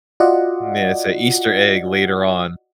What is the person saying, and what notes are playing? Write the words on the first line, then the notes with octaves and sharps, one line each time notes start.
Yeah. It's a Easter egg later on.
F4 F#4 D5 D#5 F#5